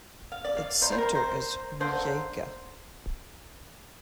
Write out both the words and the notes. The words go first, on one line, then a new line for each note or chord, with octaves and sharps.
Its center is Rijeka.
F5
D5
F5
C3 G3 C5
C5
A#4
C5
D3 A#3 D4 C5